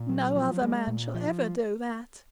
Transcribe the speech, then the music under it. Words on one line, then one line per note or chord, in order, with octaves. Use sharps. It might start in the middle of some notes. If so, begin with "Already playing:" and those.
"No other man shall ever do that."
Already playing: A#2
F#3
F3
G#3
A#2
F3